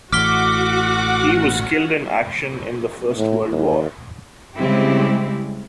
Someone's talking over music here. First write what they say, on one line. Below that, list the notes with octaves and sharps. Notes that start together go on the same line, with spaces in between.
He was killed in action in the First World War.
A1 A2 F#4 F#5 D6 F6 B6 G7
A2
D#2
C#3 G3 G#3 C4 E4 G4